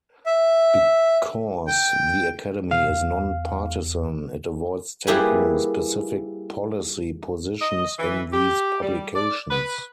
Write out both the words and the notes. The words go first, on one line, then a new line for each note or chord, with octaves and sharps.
Because the Academy is non-partisan, it avoids taking specific policy positions in these publications.
E5
G5
B2 F5
E2
G3 A#3 E4 G4 G#4 B4
D#5
E3
G4
G3
D5
B4